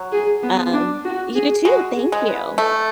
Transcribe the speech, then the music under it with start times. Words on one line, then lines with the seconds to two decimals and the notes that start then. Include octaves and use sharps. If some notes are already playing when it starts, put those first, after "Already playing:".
Um, you too. Thank you.
Already playing: F#3
0.12 G#4
0.43 B3
0.73 D4
1.05 F#4
1.35 G#4
1.65 G#3 F#4
1.96 G#4
2.12 G#3
2.27 B4
2.58 A3 A4